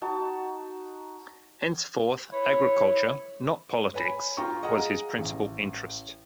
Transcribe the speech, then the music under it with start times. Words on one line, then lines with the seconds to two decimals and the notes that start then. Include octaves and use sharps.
Henceforth agriculture, not politics, was his principal interest.
0.02 D#4 F#4 A5
2.33 E4 B4 C#5
3.94 B4 C#5 G#5 B5
4.37 F4 G5 A#5 C#6
4.62 G#4 D#5 F5 F#5 A#5
5.19 A1